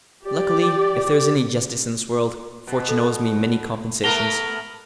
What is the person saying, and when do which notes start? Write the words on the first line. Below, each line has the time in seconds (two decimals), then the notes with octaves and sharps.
Luckily, if there is any justice in this world, fortune owes me many compensations.
0.24 G4 D5
2.67 B2
2.89 A4
4.04 A3 B3 A#4 A#6 F7 G7